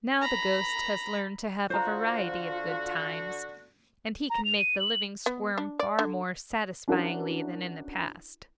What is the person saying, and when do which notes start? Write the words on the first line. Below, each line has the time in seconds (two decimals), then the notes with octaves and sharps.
Now the ghost has learned to have a variety of good times, and he can make the living squirm far more satisfyingly than in the past.
0.22 A#5 B5
1.70 D3 F4 F#4 C5 A#5
4.30 A#5
4.45 F7
4.58 D#7
4.80 F#7
5.26 B3
5.58 D4
5.79 D5
5.99 D3
6.88 C#4 D4 E4 F#4 A#4